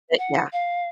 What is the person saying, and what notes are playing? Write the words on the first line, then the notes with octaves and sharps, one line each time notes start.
but yeah.
F#5
F5